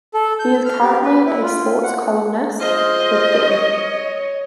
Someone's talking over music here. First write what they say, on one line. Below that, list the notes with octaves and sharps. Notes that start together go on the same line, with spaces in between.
He is currently a sports columnist with them.
A4
G6
F6
G4
B4
E4
F4
F#5
F4 G#4 C5 D#5
C#5